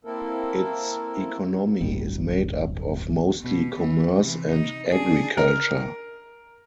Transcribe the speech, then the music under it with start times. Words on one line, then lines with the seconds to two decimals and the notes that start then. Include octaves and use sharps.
Its economy is made up of mostly commerce and agriculture.
0.05 A#3 C4 E4 A4 A#4
1.81 D1 G1 G3
3.41 B2 B3
3.77 E3
4.18 C3 E3
4.51 D#4
4.88 D4 G#4
5.37 A#4